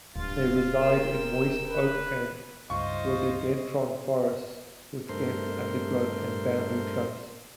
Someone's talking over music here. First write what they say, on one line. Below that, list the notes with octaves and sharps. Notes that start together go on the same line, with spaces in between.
They reside in moist oak and rhododendron forests with dense undergrowth and bamboo clumps.
D1 G2 F4 A6
A#4 G5 E6
B4
C#2 G2 D#4 F4 C5 D#5 C#6
G2 A3 A#4 C5 C6